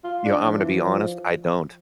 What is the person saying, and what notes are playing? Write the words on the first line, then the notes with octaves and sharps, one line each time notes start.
You know, I'm gonna be honest, I don't
F4
D4
F3
E3
F3